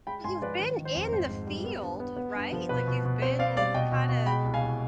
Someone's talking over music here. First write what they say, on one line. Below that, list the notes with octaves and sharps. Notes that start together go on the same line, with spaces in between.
You've been in the field, right? Like, you've been kinda
G#3 G5 B5
G#2 G#5 C6
F3 B4 D5
D#3
D#3
C5
F2
G#2 C5
G#2
G3
B3
D3
B3
B3
G2
F3
B2 B4
B2
B2
C4 C5
C4 D5 F5
G3 D5 F5
B2 D#5 G5
B2
B2
G#3 G5 B5
C2
F5 G#5
C2